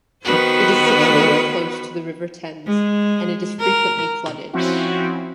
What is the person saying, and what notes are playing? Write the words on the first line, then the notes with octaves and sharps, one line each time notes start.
It is situated close to the River Thames, and it is frequently flooded.
D#3 B3 F#4 B4 C5
G#3
A#4
F3 C4 C#4 E4 F#4